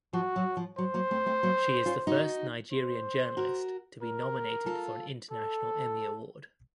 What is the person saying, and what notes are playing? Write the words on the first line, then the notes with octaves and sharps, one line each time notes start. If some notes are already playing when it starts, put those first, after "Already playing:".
She is the first Nigerian journalist to be nominated for an International Emmy Award.
F3 F#4
F#3
F3
F#3 C5
F#3 A#3
A3 C4
A3 C4
F#3 A#3
C#4 F4
D#4 F#4
C5
F#4 A#4
A#4
F4 A4
A4